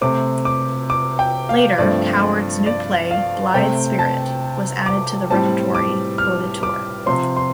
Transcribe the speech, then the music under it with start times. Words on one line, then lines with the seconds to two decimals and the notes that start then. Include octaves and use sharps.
Later Coward's new play "Blithe Spirit" was added to the repertory for the tour.
0.01 C3 A3 C4 D6
0.45 D6
0.90 D6
1.19 G5
1.49 F5
1.78 G2 F3 A3 C4 D5
2.66 D5
3.11 F5
3.54 C3 A3 C4 G5
3.99 A5
4.86 D6
5.30 A2 G3 C4 A5
5.75 D6
6.18 F6
6.63 D6
7.06 C3 F3 C4 C6
7.36 C6